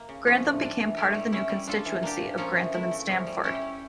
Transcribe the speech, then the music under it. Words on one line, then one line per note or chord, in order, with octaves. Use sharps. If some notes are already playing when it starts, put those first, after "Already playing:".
Grantham became part of the new constituency of Grantham and Stamford.
Already playing: A#3
C#3
F3 C#4 F4
A2
G3 D4
E3
A3 E4 G4
G3
C#4 E4
G3
D4 F4 A4
E3
A#3 D4 G4
A#2
F3 A#3 C#4 F4
E3
A3 E4
C#3
F3 C#4 E4
G3
C#4 E4 G4
G3